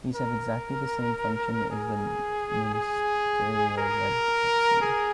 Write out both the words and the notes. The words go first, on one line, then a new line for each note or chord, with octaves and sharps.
These have exactly the same function as the ministerial red boxes.
A#4
G#4
G#4
A#4
G#4